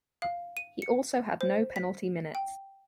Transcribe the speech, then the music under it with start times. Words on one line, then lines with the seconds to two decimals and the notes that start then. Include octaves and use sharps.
He also had no penalty minutes.
0.22 F5
0.57 D#7
0.82 C#7
1.41 C5
1.76 B6
2.35 G5